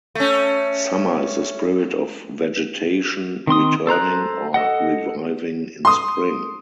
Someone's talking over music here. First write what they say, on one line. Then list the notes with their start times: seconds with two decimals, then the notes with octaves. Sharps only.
Summer is the spirit of vegetation returning or reviving in spring.
0.15 A3 C#4
3.47 D#3 C4 C6 D#6
3.87 A4 C5 A#5 F#6
4.54 A4 D#5 F#5
5.85 C6 D#6